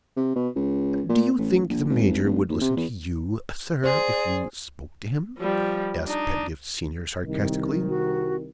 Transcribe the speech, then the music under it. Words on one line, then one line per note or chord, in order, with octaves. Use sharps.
"Do you think the major would listen to you, sir, if you spoke to him?" asked Pedgift Senior, sarcastically.
C3
B2
C#2
A#2
A1
A#1
G#1
F1
D#2
C3
E2
G#4 C5 D5
F3 G3
D4 D#4
C2 D#3
F#4